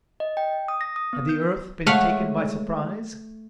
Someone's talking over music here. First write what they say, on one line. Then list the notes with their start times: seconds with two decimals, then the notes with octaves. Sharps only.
Had the Earth been taken by surprise?
0.20 D#5
0.37 G5
0.68 D#6
0.81 A#6
0.96 D#6
1.13 B3
1.29 G6
1.86 G#3 A3 C#5 F5 F#5